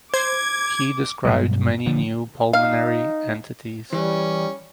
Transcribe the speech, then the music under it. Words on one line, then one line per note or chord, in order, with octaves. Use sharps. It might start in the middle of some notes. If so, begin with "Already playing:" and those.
He described many new pulmonary entities.
C5 D6 G#6
G2 B2 F#3 G#3
D3 F3 A#3
D#4 F5
E3 G3 C#4